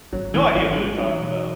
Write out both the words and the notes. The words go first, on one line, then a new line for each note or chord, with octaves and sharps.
No idea who they're talking about.
G#1 F#3
E3 A3
G#1 F#3
E3 G#3
F#3 D#4
B2